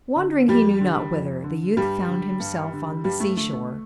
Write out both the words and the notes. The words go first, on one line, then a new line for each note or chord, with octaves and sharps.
Wandering he knew not whither, the youth found himself on the sea-shore.
D3
F2 G3
D3
F2
D3
G2 G3
D3
G2
D3
G2 G3
A3
D3 A3
A3